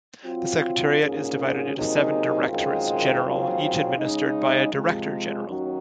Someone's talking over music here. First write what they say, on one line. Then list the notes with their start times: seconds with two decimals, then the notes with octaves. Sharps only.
The Secretariat is divided into seven directorates-general, each administered by a director-general.
0.25 F#3 C4 F4
1.00 G#2 F3 A#3 C#4 G#4
1.74 C3 F#3 A#3 D#4 G#4
2.48 F#2 D#3 G#3 C4 F4
3.23 D#2 C#3 F#3 C4 F4
3.98 C#3 G#3 D#4
4.72 C3 F3 G#3
5.47 D#2 D#3 F#3 C#4 F#4